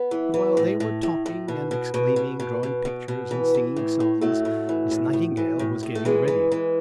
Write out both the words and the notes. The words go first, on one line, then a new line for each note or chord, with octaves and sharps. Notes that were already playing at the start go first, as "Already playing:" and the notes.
But while they were talking and exclaiming, drawing pictures and singing songs, Miss Nightingale was getting ready.
Already playing: B3
E3
E3
A2
A2
A2
A2
B2
B2
B2
B2
B2
B2
B2
B2
E3
E3
A2
A2
A2 F#3 A3
A2
E3
A2
A2
E3
A2
A2
A3
E3 G#3
E3
E3